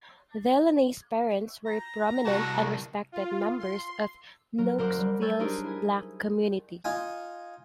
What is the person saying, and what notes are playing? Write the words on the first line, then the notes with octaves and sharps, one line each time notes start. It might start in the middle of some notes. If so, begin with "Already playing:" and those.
Delaney's parents were prominent and respected members of Knoxville's black community.
A#5
C2 F#4 A5
F4
C6
F#3 A#4
F#1 A#4 C5 F#5 D6
G3
C#5 G#5 C#6 E6 G6 A6
D4 D#4 G4 G#4 A#4 C5
E4 G#5 D#6
D#4 F4 G#5